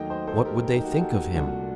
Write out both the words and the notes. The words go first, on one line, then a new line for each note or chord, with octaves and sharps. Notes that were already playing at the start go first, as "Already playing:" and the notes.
What would they think of him?
Already playing: D#2 D#3 F#3 A3 D#5 G5
C5 D#5
A4 C5
G4 A#4
G4 A#4
D#4
F#4
G4
F#4 A4
C2 A#2 A3 D4 F#4